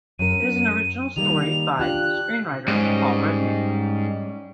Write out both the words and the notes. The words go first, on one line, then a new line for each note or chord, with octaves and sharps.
It is an original story by screenwriter Paul Rudnick.
F#2 A#4 D#7
D#3 G3 A#3 F7
D4 F4 G4 F#6
G#2 G3 C#4 D#5